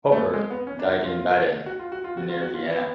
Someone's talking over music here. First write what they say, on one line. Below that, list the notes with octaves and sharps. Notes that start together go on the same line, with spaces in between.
Popper died in Baden, near Vienna.
A3
B3
G#3
B3
C#4
D4
F#4
F4
F4
F#4
F4
F#4
F4
F#4
F4
F#4
F4
B3